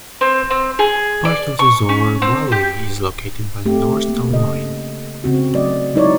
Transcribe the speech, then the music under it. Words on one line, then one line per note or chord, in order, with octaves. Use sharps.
Part of the Zoar Valley is located by the north town line.
C4
C4
G#4
D5
C#6
C#4
C4
G4
A3 C4 G4
A#3
C#3 A4 D#5
C#3 C4 F#4
F#3 A3 D5 D#5
F#3 G#3 D#4 E4 C#5 D5